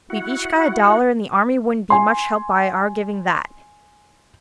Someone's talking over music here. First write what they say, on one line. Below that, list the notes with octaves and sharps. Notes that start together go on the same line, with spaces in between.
We've each got a dollar, and the army wouldn't be much helped by our giving that.
E4 F#4 F#5
G#5 C6